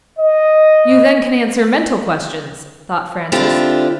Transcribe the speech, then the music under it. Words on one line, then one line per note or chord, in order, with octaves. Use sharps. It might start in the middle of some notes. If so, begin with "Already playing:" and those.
"You then can answer mental questions," thought Francis.
D#5
D3 C4 D4 E4 F4 G4